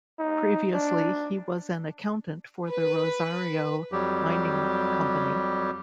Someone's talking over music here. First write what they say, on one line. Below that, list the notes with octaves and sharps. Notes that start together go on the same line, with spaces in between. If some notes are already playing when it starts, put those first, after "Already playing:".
Previously he was an accountant for the Rosario Mining Company.
D#4
D4
B4
F2 F#3 G3 G4